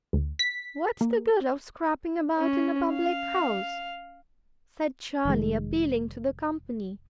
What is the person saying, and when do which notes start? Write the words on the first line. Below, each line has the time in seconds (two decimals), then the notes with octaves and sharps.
"What's the good of scrapping about in a public-house?" said Charlie, appealing to the company.
0.13 D2
0.39 B6
1.01 A#3
2.38 C#4
2.93 F5
5.25 F1 D#3 G#3